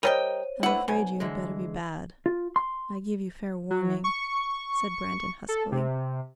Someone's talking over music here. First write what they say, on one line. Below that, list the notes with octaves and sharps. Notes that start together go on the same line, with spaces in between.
"I am afraid you had better be bad--I give you fair warning," said Brandon huskily.
G3 A4 A#4 C5 C#5 D#5 G5 D#7
A3 D4 E4 B4 F#5
B1 B2 G#5
D3 E3 G#3
F4
C6
F#3
C#6
A4
C3